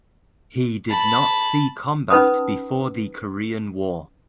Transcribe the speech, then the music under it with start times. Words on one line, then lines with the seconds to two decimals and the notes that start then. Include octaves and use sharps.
He did not see combat before the Korean War.
0.89 A5 B5
2.10 C#4 D#4 B4 A5 B5 D#6